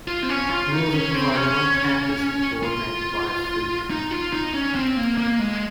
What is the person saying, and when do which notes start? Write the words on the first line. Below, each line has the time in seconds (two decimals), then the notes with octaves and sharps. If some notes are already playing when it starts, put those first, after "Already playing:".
Meals are provided on campus and coordinated by a food committee.
0.08 F4
0.23 C4
0.29 C#4
0.50 F4
0.72 D#4
0.93 C#4
1.14 C4
1.35 C#4
2.63 F4
3.91 D#4
4.11 F4
4.33 D#4
4.54 C#4
4.75 C4
4.97 A#3
5.18 A#3
5.39 G#3